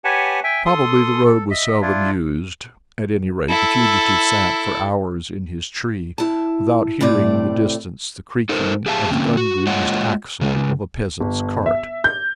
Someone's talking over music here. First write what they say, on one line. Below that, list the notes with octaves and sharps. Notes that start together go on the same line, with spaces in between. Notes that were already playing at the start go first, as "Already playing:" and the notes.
Probably the road was seldom used; at any rate the fugitive sat for hours in his tree, without hearing in the distance the creaking of the ungreased axle of a peasant's cart.
G4 B4 C#5 F#5 G#5 A5
E5 G5 G#5
A4 C6 D#6
A4
D#5 E5
D4 E4 F4
E4 A4
E4 A5
A2 C3 A3 D5
D#4 A4 A#4 C5
G4 G#4 E5 F5 A5
D3 A#3 C4 C#4
F#4
G#3 A#3 F4 C#5 D#5 F#5
C#3 G#3
G1
E5
G6